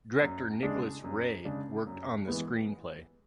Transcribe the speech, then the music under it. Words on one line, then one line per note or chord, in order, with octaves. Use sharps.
Director Nicholas Ray worked on the screenplay.
F#2
C#3 G#3 D4
F#2
C#3 G#3 D4
F#2
E3 G#3 B3